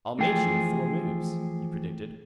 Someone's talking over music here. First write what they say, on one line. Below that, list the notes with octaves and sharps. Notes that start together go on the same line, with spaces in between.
"I'll mate you in four moves," he predicted.
E3 F3 A3 G#4 G5